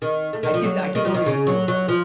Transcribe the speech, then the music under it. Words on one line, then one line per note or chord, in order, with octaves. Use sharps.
I can I can already feel that.
D#3
A3
D#3
F3
F#3
D#3
F3
D#3
C#3
F#3
F#3
F3